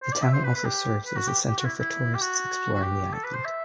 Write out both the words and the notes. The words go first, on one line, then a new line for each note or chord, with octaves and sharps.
The town also serves as a centre for tourists exploring the island.
C5
D5
E5
C5
B4
B4
G4
B4
F#4
G4
G4
F#4
E4
E4
G4
F#4
F#4
G4
A4
B4
C5
E5